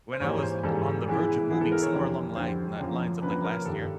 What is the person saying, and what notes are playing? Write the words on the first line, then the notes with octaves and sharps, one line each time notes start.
when I was on the verge of moving somewhere along li na lines of like last year,
C5
G#2 E3 G3 A#3 C#5
C5
G#2 E3 G3 A#3 A4
E3 G#3 B3 E4
E3 G#3 B3 E4 G#4
A4
A#4
C#5
F2 D3 G3
F2 D3 G3 C5
F#2 D3 F3 A#3
F#2 D3 F3 A#3 B4
A#4
G2 D#3 G3 A4